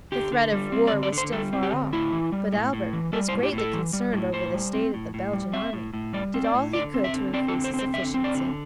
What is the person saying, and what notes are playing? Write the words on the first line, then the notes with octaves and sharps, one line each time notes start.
The threat of war was still far off, but Albert, who was greatly concerned over the state of the Belgian army, did all he could to increase its efficiency.
D3 G4
D3
G3
C4
D5
D3
D5
D3
C5
G3 A4
C4
G4
D3
A2 E4
E3
G3
A2
A2
E3
G3 A4
C5
A2
G4
A2
A4
E3
G3
A2
A2 C5
G3
C4
A2
A2
G3
C4 E5
A2
A2
G3 D5
C4
D5
A2
D3 D5
C4
E5
D3
C4 D5
A4
D3
C5
C4
C5
D3 E5
C4
D5
D3